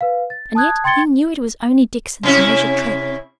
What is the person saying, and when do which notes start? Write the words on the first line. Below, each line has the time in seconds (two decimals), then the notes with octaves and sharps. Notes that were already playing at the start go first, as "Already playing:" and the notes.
And yet they knew it was only Dixon's measured tread.
0.01 B4 F5
0.30 A6
0.55 A5 D#6 F#6 G#6
0.84 G5 C6 G#6 A6 C#7 G7
2.23 C3 C#4 E4